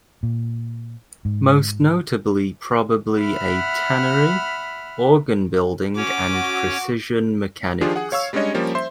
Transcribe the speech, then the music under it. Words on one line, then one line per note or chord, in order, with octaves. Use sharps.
Most notably probably a tannery, organ-building and precision mechanics.
A#2
G#2
E5 F#5 B5 F6
C#4 F#4 C#5 D6
F#4
D#3 F3 D4 F4 G4 G#4
G#4 F#5
C#5 F5 C#6 E6
G3 G#3 C#4 D4 C#5 D#5
F3 G3 A#3 C#4 G4
C5 E5 C6